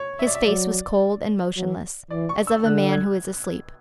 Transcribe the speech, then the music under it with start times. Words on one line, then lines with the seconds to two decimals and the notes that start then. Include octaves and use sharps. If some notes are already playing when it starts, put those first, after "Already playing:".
His face was cold and motionless, as of a man who is asleep.
Already playing: C#5
0.19 E5
0.27 D5
0.35 E5
0.47 F#3 D5
1.57 F#3
2.11 E3 D5
2.29 C#6
2.47 E6
2.65 D3 F#6
2.92 G#6